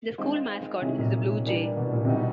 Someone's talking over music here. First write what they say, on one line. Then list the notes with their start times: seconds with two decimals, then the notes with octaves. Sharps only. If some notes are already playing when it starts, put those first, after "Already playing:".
The school mascot is the blue jay.
0.18 D#3 G#3 C4 F4
0.82 C3 D#3 G#3 C#4 E4
0.98 A#2
1.46 E3 G3 A#3 D4
1.77 B2
1.93 A#2
2.05 C3
2.09 B2 E3 G3 B3 D#4